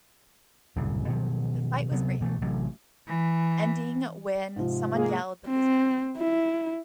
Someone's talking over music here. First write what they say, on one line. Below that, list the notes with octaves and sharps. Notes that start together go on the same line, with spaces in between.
The fight was brief, ending when someone yelled the police were coming.
D1 C2 F#2 C#3
B2 D#3 F3 F#3
C3 F#3 B3
B2 E3 G3 A3
A1 C3 F#3
E3
G#2 C3 F3
G#3 A#3 G#4
C4
E4